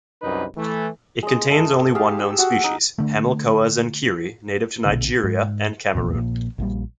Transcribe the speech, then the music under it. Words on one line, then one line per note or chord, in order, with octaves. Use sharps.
It contains only one known species, Hamilcoa zenkeri, native to Nigeria and Cameroon.
C2 F#2 D#4 B4
E3 A3
G#3 D#5
A3
G4 G#4 F5 A5
E6
F#4
D#4
D3 A3
A#1 B2 D3
G#2
F1 A#1 E2 A#2
A#1 A#2 A#3
A#1 A#2 G3